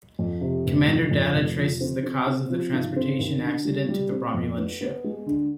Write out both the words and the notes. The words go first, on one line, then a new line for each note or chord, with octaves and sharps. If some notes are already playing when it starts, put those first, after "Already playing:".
Commander Data traces the cause of the transportation accident to the Romulan ship.
F2
C3
F1
F2
F2
F1
F3
C4
C4
C4
F3
G#1
C4
D#2
D3
G3
G3
C4
F2
B3
B3
G#3
D3